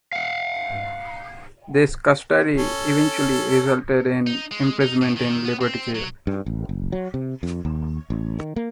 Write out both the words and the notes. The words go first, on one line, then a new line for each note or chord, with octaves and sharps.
This "custody" eventually resulted in imprisonment in Liberty Jail.
F5 F#5
C#4 A4
D#4
G#3
D#4
A2
D#3
B3
C4
F#3
G2
A1
F#1
F#3
C3
F2
D#2
A1
D#3
A#3